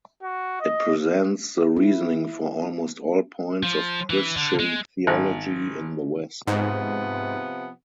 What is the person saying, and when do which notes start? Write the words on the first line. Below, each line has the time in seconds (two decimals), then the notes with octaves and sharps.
It presents the reasoning for almost all points of Christian theology in the West.
0.23 F#4
0.61 D#5
1.77 E4
3.63 F3
4.10 E3
4.36 D3
4.59 G#3
5.07 G#1
6.47 G#2 C3 F3 B3